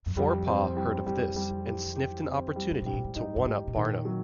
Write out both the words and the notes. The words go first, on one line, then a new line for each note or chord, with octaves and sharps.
Forepaugh heard of this and sniffed an opportunity to one-up Barnum.
F#2
F2 G3
C4
G3
F2 G3
G3
G3
G4
C4
G3
C3
B2 G3
A#2
A2
G#2 D#4
G2
G#2 G4
B2
A#2 D#3
F#3